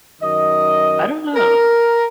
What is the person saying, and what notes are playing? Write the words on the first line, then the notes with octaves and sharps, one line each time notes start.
I don't know.
F#2 D#3 D#5
A#4